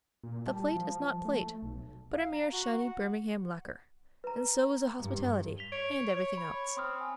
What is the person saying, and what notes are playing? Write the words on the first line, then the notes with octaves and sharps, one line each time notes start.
The plate is not plate, but a mere shiny Birmingham lacquer; and so is the hospitality, and everything else.
A#2
G3 A5
F3
A3
B1
F5
A#5
F#4
F#5
B4 A#5
G2
B6 F7 G7
C#5 D7
C#5
B5
C4 C6 D#6 F6
G#5